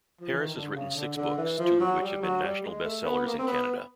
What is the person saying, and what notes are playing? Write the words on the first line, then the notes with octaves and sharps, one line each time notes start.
Harris has written six books, two of which have been national best-sellers in Canada.
F3
E3
D#3
D3
C#3
D3
D3
E3
F3
F#3
G3
F#3
G3
G#3
A3
B3
B3
A#3
C4
B3